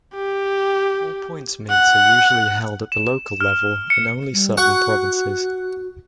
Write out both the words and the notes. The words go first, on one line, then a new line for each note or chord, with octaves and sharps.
All-points meets are usually held at the local level in only certain provinces.
G4
F#5
E7
F6
C#7
G3
F#4 F#5 C#6